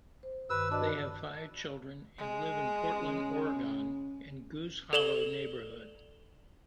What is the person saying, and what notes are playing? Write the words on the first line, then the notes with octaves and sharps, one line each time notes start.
They have five children, and live in Portland, Oregon in the Goose Hollow neighborhood.
C5
G2 D#3 B4 E6
D4 F#4 D#5
G#3
C#3
A4 D5 E7 F#7 G7